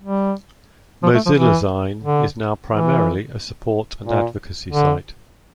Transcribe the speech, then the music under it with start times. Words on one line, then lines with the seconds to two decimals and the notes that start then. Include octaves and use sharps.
MozillaZine is now primarily a support and advocacy site.
0.02 G3
1.03 F3
1.15 A3
1.26 F3
1.37 E3
2.03 D3
2.71 E3
4.05 A#2
4.72 D3